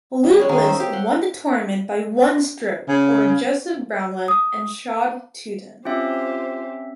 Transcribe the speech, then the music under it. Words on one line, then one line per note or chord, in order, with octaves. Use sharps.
Luke List won the tournament by one stroke over Joseph Bramlett and Shad Tuten.
G3
G#3 C#4 G#4
D#3 A#3 C#4 G#4
C5 E5
G4
F#5 C6
C#3
D#6
C4 C#4 F4 G4 C5 E5